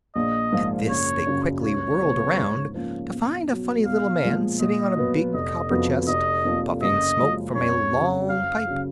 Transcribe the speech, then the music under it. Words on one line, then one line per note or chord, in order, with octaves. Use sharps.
At this they quickly whirled around to find a funny little man sitting on a big copper chest, puffing smoke from a long pipe.
A#1 D#5
G#2 F3 A#3 F4
F#1 C#5
F#2 C#3 F#3
C#2 C#5
C#3 F3 B3 F4
G#2
F3 A#3 C#4
B1
B2 F#3
B1 F5
A#2 F3 G#3
A#2 D#5
F#3 B3
F1 D#5
F2 F3 B3 F#4
F1 D#5
F2 F3 A#3
F#1 D#5
F#2 F3 G#3
F2 C#5
C#3 F#3
F#2 F5
C#3 F#3